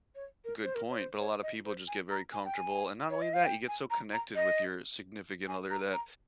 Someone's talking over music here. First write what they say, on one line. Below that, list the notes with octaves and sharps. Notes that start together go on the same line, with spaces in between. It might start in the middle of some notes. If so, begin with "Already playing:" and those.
Good point, but a lot of people just get very comfortable, and not only that, you get so connected with your significant other that
C#5
A#4
C5
A#4
C#5
C5
C#5
D#5
C5
G#5
A#5
G#5
G5
G#5
C#5
D#5
F5
G5
G#5
A#5
A#5
D#5
G#5
A#5
A#5